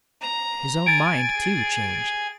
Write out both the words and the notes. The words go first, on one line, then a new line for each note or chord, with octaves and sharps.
His own mind, too, changed.
A#5
G#5 A6 D7
G#4